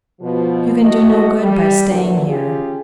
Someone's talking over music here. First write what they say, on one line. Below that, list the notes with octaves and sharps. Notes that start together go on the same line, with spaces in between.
You can do no good by staying here.
B2 F3
D#2 A3 E4 F#4 D#5
G3
A#2 D3 E3 F#3
C#4 F4 G4 G#4